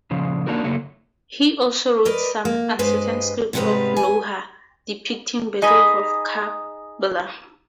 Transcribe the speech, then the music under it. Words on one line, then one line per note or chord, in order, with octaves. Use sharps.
He also wrote some uncertain scripts of noha depicting battle of Karbala.
A#2 C#3 F3
A#3 D4 D#4 F#4 A#4
C#3 F#3 A3 A#3
A#4 B4 D5 D#5
A#3
G2 G#3 B4 C5 D#5
G#2 C3 G3 G#3 B4 A#5
G#5
D#4 G#4 D#5 B5